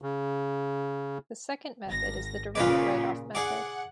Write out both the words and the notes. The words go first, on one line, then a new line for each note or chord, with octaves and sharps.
The second method is the "direct write-off method".
C#3
G#1 A#6
A#2 C#3 F4 B4 D5
G#4 D5 F#5